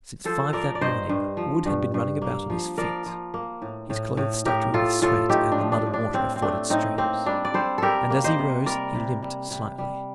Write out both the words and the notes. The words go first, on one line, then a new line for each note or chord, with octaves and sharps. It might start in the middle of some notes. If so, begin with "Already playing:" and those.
Since five that morning Wood had been running about on his feet, his clothes stuck to him with sweat and the mud and water of forded streams, and as he rose he limped slightly.
F3 A4 C5
F3 A#4 D5
D5
G2 C5 D#5
G2
F3
G2
G2
A#3
F3
F3 A#4 D5
F3
A#3
A2
A2
A2
A2 G4 A#4
A2 F4 A4
A2 F4 A4
A3 D#4 G4
D4
F3
D4
A2
D4
A2 C4
C4
A3 D4
A2 C4 D#4
A#3 C4
G3 D4
D5
G3 A4 C5
G3 G4 A4 A#4
A#3
C5 D#5
C3
G3 A#4 D5
C3
G3
C3
G3